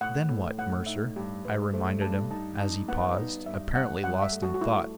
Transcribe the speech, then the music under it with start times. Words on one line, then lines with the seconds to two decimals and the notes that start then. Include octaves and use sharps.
"And then what, Mercer?" I reminded him, as he paused, apparently lost in thought.
0.01 A2 F#5
0.29 A2
0.58 A2 F#5
0.86 D#4 E5
1.16 G2 G4
1.44 G2 B4
1.73 A3 C5
2.02 G2 A5
2.31 D#4 A5
2.59 D#4 A5
2.88 B3 F#5
3.17 D#4
3.46 G2 E5
3.74 G2 F#5
4.04 G2 F#5
4.22 E5
4.32 A3
4.42 F#4
4.54 F#4
4.61 A3 E4